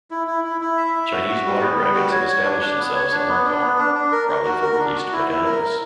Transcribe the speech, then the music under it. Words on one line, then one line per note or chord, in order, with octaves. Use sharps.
Chinese water dragons have established themselves in Hong Kong, probably from released pet animals.
E4
E4
E4
E4
E5
E5
F#4
F#4
G3
B3
G3
F#4
C#5
C#5
D4
D4
B3
C#5
D4
B3
D4
B3
D4
D4
A#4
A#4
F#4
A#4
D4
F#4
E4
E4
A#4
A#4